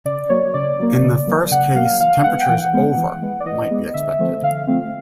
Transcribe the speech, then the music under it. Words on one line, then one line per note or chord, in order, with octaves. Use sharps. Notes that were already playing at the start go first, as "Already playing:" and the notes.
In the first case, temperatures over might be expected.
C#3 D5
F#3 A#3 C#5
C#3 D5
F#3 A#3
C#3
F#3 A#3
C#3 F#5
F#3 A#3 F5
E3 F5
G#3 B3 F#5
G5
E3 F#5
G#3 B3
E3
G#3 B3
D5
E3 D#5
G#3 B3
D3 E5
F3 A3 C4
D3 F5
F3 A3 C4